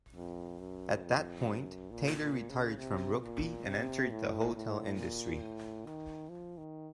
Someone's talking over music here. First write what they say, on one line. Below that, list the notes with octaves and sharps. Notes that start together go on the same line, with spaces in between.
At that point, Taylor retired from Rugby and entered the hotel industry.
F2
F#2
F2
F#2
A#2
A#2
C#3
C3
A#2
C3
A2
A2
A#2
A2
D#3
F3
D#3